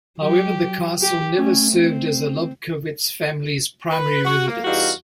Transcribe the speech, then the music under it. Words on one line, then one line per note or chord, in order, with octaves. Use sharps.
However, the castle never served as the Lobkowicz family’s primary residence.
F#3 G4
G4
A3 C#4
C4
B4
F#4
A#3
E2 G3 D#4 F#4 F5